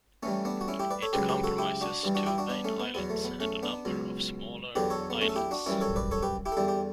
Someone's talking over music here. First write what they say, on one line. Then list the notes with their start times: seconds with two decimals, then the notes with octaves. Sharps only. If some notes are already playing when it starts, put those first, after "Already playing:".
It comprises two main islands and a number of smaller islets.
0.23 A2 E3 G3 A3 C#4
0.45 B3 D4
0.61 F#4
0.68 C#4 E4
0.79 E4 G4
0.90 B4 D5
1.02 A4 C#5
1.13 C#2 C#3 F#3 G4 B4
1.29 G4 B4
1.44 F#4 A4
1.58 E4 G4
1.81 D4 F#4
2.04 G2 E3 G3
2.15 D4 F#4
2.26 E4 G4
2.38 D4 F#4
2.49 B3 D4
2.64 A3 C#4
2.80 B3
2.94 E2 B2 F#3 B3
3.10 A3
3.25 B3
3.40 A3 C#4
3.63 B3 D4
3.85 C#2 B2 F#3
4.75 E2 D3 F#3 G4 B4
4.90 A4 C#5
5.10 B3
5.21 A3 C#4
5.29 A4
5.36 E4 G4
5.51 D4 F#4
5.66 F#2 E3 G3 C#4 E4
5.81 A4 C#5
5.96 B4 D5
6.11 A4 C#5
6.23 G4 B4
6.46 E4 G4
6.52 A4
6.57 E2 D3 G3 E4 G4
6.68 G4